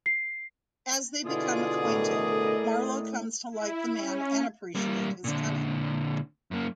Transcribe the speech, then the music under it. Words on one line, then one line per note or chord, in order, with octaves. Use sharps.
As they become acquainted, Marlowe comes to like the man and appreciate his cunning.
C7
B2 D3 E4 F4 G#4 D5 D#6
A2 A4 A#4 D#5
E4
C#4
G3 A#3
A#2 D3
F#2 A#3